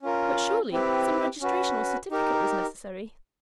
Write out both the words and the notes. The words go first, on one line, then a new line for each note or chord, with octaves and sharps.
"But surely some registration or certificate was necessary?"
C#4 F4 A#4
C4 E4 G4 B4
C#4 F#4 B4
D#4 G4 A#4